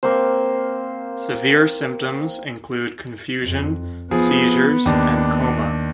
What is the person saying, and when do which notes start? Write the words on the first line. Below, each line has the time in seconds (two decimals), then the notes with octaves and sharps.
Severe symptoms include confusion, seizures, and coma.
0.03 A#3 C4 C5
3.43 F2
4.11 F3 B3 G#4
4.86 D#2 D4